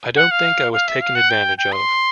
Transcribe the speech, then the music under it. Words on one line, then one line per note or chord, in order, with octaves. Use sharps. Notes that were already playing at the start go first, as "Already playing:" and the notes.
I don't think I was taken advantage of.
F#5
F5
F5
E5
F5
F#5
G5
G5
C6